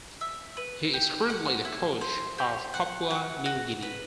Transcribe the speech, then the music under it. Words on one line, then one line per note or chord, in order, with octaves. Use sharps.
He is currently the coach of Papua New Guinea.
E5
B4
G4
F#5
E4
C5
G4
F#5
F#5
F#4
B4